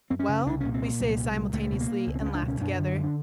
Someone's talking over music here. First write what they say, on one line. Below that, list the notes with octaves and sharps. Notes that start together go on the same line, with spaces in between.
"Well?" we say, simultaneously, and laugh together.
F#2 C4
C#4
C#3
C2 D4
A#2 C#4
C4
A#2
C2 G3
F#3
C2 G3
A#2
C#2 A3
B2
A#3
B2
C#2
C4
C#2 C#4
D4
B2
C#4
F#2 D4
D3
D3
D4